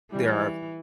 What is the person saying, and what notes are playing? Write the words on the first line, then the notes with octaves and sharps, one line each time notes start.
there are
E3 G3